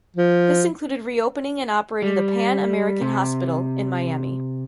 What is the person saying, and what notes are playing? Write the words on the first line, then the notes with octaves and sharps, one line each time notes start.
This included reopening and operating the Pan American Hospital in Miami.
F3
G3
C3